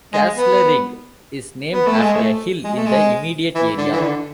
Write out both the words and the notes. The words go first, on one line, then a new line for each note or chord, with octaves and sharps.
Castlerigg is named after a hill in the immediate area.
G#3
B3
B3
A3
G#3
A3
G#3
A3
G#3
E3
D3
E3
D3